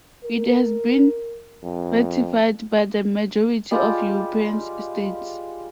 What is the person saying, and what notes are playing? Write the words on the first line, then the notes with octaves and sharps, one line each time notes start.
It has been ratified by the majority of European states.
A#4
F2
G3 G#3 F4 G4